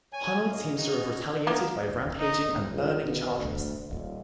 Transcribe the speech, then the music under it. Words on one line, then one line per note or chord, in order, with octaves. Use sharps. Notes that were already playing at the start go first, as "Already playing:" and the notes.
Hunald seems to have retaliated by rampaging and burning Chartres.
C#5 G#5
F#2 A#2 A#3 D#5
C#4 D#4 F#4 G#4
A#3 B3 A#4
D#4
C#2
B2
D2
D#1